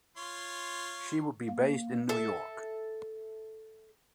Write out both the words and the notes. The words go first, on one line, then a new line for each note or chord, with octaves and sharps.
She would be based in New York.
F4 C#5 C6
A#3
A4 E5